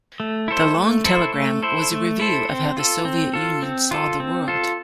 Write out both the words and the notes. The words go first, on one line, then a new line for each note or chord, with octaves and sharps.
The "Long Telegram" was a review of how the Soviet Union saw the world.
A3
E4 A4 C5
A3
E4 A4 C5
A3
E4 A4 C5
A3
E4 A4 C5
C4
F4 A4
C4
F4 A4
C4
F4 A4
C4
F4 A4